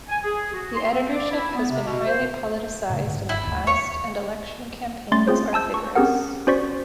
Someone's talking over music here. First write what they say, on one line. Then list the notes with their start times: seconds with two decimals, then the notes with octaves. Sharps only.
The editorship has been highly politicised in the past, and election campaigns are vigorous.
0.08 G#5
0.23 G#4
0.53 F#4
0.76 C6
0.91 C4
1.15 D5
1.31 E4
1.56 B3
1.70 C3
1.86 B2
2.07 C5
2.89 A2 C#3 A3
3.06 G#2 D3
3.29 G1 E4
3.47 D#2 G#3 A3
3.67 C#5
5.12 A3 C#4 C6 A6
5.27 C4 F4 G#4 C5 C#5
5.53 G#5 A5 E6 G6
5.74 C#6
5.95 C4 C#4 G4 G#4 A#4 F#5
6.47 C#4 F#4 C5 D5 C#6 B6